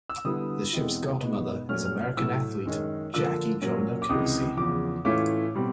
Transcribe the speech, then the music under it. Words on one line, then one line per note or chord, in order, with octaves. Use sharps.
The ship's godmother is American athlete Jackie Joyner-Kersee.
E6
D3 G3 B3 E4 D#6
E2 B2 G#3 C4 E4
B2 G#3 B3 D#4
A#2 F#3 A3 C#4 F6
F6
F6
A2 F#3 A3 E6
F#2 D#3 G#3 C#4
D3 F3 A#3 D4 F4 E6
A#2 F#3 A#3 C#4
D6
C#2 C3 E3 G#3 D#6
E2 C#3 F3 D6
A2 E3 A3 C#4 F4 D6
B2 G3 C4